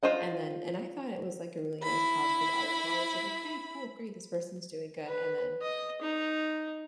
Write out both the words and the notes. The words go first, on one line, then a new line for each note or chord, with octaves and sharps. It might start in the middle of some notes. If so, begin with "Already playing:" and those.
and then and I thought it was, like, a really nice positive article. I was, like, "Okay, cool, great, this person's doing good." And then
F4 C5 D#5 F#5
E4 B5
B4
D#5
D#4